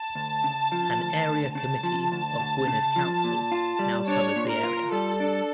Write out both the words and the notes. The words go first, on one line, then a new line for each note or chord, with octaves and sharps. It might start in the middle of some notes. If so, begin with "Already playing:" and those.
An area committee of Gwynedd Council now covers the area.
Already playing: A5
D2
C#3
F3
D2
D2
C#3 A5
F3
D2
D2
C#3
F3
A#2
F4
G3
D4 C#5
A#2
A#4
F4
G3 A4
D4